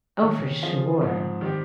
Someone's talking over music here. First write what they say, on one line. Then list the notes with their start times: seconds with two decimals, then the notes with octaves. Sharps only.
Oh, for sure.
0.22 D#3 A#3 C#4 G#4
0.62 F3 C4 F4 G#4
1.01 G#2 F3 C4
1.41 D#3 G3 C4 G4